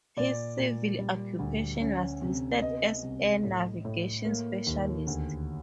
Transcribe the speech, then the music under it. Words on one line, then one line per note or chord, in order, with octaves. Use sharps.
His civil occupation was listed as Air Navigation Specialist.
A#2 D5
A#2
G3
D2
C#4
C3
B3 D#5
C2
A2
A2
A#3
D#2
D2